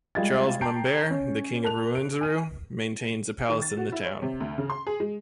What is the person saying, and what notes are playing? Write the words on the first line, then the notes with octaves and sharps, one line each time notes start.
Charles Mumbere, the king of Rwenzururu, maintains a palace in the town.
G3 G#3 F4 G4 G#6 A6
G5 A5 A#5 G6 C7 D7
C#4
A#4 A5 F#6 F7
D7
G#5 D#7
D#3
A6
F#4
E4
C#5
C3
D2
C#3
C6
G#4
G#3